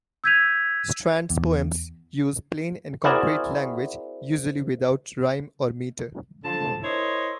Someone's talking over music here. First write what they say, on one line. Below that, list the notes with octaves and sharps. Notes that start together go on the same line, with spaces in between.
Strand's poems use plain and concrete language, usually without rhyme or meter.
E6 G6 G#6 B6 D#7 F7
E2
C4 E4 F#4 G#4 A#4 D5
D3 F3 F4 A5
E4 A#4 C5 C#5 D#5